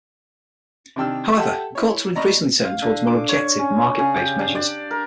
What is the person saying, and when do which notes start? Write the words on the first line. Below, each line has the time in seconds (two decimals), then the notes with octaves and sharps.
However, courts are increasingly turning toward more objective, market-based measures.
0.96 C3 D#3 D4 G5 E6 F6
1.37 G4 A4 E5 F#5 G5 A5
1.75 E4 C#5
2.15 D5 D#5 A#5 B5 C#6
2.65 F5
2.82 D3
3.07 D6
3.29 C#5
3.59 C#4
3.99 C#3
4.17 G4
4.39 D4
4.55 D5
4.91 A#4